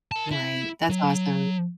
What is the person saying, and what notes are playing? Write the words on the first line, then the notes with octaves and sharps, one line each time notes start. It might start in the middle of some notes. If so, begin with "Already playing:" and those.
Right, that's awesome.
A#4 A5
E4
F#3